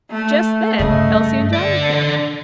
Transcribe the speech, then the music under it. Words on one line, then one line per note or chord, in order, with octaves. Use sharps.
Just then Elsie and Johnnie came in.
A3
G2 C#3 A3 G#4 D#5
D3 D5